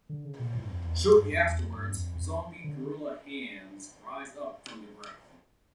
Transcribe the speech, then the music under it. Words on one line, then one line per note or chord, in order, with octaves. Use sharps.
Shortly afterwards, zombie gorilla hands rise up from the ground.
D3
C#3
A#2
A2
G2
F2
E2
F2
G2
F2
E2
F2
G2
G2
F2
F2
D3